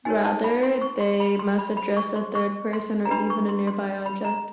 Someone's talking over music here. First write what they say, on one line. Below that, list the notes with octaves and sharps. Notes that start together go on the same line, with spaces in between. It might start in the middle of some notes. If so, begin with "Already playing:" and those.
Rather, they must address a third person or even a nearby object.
D#4 F#4 A#4 C#5 G#5
A5
B5
C6
C#6
C6
B5
C6
B5
B5
C#6
C6
C#6
C6
A#5
D4 G4 B4 B5
C#6
C6
C6
B5
A#5